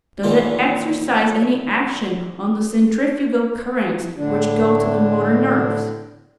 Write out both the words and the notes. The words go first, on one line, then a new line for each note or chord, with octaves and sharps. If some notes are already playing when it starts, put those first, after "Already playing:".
Does it exercise any action on the centrifugal currents which go to the motor nerves?
E2 A#2 D#3 F3
A2 D3 D4